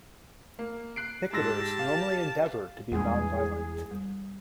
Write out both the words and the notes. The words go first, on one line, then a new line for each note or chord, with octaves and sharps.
Picketers normally endeavor to be non-violent.
A#3
F#6 C7 D7
G#2 G4 A5 E6 A#6
F5
E2 G3 G#3 D4 G#4
G3